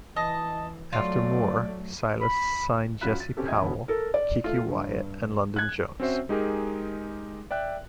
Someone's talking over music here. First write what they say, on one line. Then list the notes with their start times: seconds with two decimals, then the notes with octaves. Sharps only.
After Moore, Silas signed Jesse Powell, Keke Wyatt, and London Jones.
0.16 E3 D#5 A5
0.93 F#3 A3 F4 D5
2.20 B5
3.01 F#2 F4 B5 F6 F#6 B6
3.20 A6
3.37 C4 C#4 G4 A4
3.48 E1 D#5 E5 G5 G#6
3.62 E1 B2 D3 B5
3.88 A4 A#4
4.14 D5
4.44 A3 F4
4.68 G2
5.56 F#6 G#6
6.00 C4 C#4 F#4 C5 E5
6.29 G#3 D#4 G4 G#4 A#4
7.51 D5 E5 G5 F#6